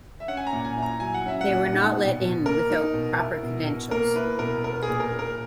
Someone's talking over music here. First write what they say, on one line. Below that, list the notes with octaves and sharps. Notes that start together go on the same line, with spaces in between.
They were not let in without proper credentials.
E5
C#4 F#5
G#5
A#5
A#2
G#5
E4
A#5
F#3 G#5
F#5
C#4 E5
F#5
A#2
D#4
B2
B2
A#3 A#4
D#4
B2
E4
B2
B2
A#3 A#4
E4 B4
B2 A#4
B3 A#4
A#4
G#4
A#2
A#4
A#2
A#4